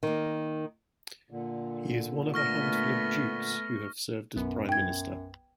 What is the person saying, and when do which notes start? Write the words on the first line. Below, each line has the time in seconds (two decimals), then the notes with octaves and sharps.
He is one of a handful of dukes who have served as Prime Minister.
0.03 D#3 A#3
1.31 A#2 D3
2.34 A3 B3 C#6 F6 A#6
4.36 B1 F#2 B3
4.69 G5 G#6